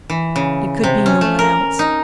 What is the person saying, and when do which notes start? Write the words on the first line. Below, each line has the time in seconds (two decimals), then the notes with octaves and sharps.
It could be no one else.
0.10 E3
0.36 C#3
0.83 C3
1.06 C#4
1.21 A3
1.39 A#4
1.79 D#4